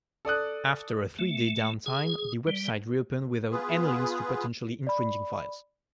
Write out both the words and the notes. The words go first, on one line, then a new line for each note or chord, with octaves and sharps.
After a three-day downtime, the website reopened without any links to potentially infringing files.
A4 D5 D#6 F#6
A3
G#4
G3
B3 F4 G#4 B4
D5 B5